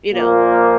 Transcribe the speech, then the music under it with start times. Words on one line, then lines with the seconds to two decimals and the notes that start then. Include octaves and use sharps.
You know?
0.13 A#2 F3 A#3
0.43 A#4